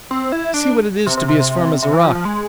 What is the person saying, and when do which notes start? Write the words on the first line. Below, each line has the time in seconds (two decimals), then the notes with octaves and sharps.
You see what it is to be as firm as a rock!
0.11 C4
0.32 E4
0.54 D4
1.06 C3
1.17 C3
1.28 C3
1.82 C3
1.93 E3
2.04 F3
2.15 F3
2.25 G#3